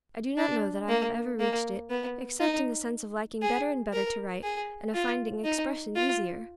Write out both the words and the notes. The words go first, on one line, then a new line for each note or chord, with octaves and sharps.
I do not know that I have ever reached it, except in the sense of liking better and better to write, and of finding expression easier.
D4
A#3
A#3
B3
D#4
G#4
A#4
G#4
F4
D#4
F4